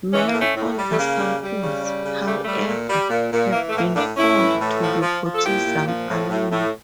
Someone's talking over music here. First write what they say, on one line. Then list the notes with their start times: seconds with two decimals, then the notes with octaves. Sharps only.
Many older samples, however, have been found to be potassium alum.
0.13 E3 C#4
0.26 A#3
0.34 A2
0.39 A3 C#4
0.56 A2
0.77 G3
0.91 A3
0.97 C#3 A#3
1.19 G3
1.41 G3
1.62 C#3
1.82 G3
2.04 C#3
2.25 G3 A3
2.44 G3 A3
2.67 A#2
2.90 G3
3.10 A#2
3.32 A#2
3.52 E3 A#3
3.68 A3
3.74 A2 A#3
3.95 A2 A#3 D4
4.16 A2 C#4 E4
4.38 E3
4.59 A2
4.80 F3
5.01 F3
5.23 F3
5.35 A4
5.44 A#2 E4 G4
5.66 A#2
5.87 F3
6.08 A2
6.29 A2
6.51 A2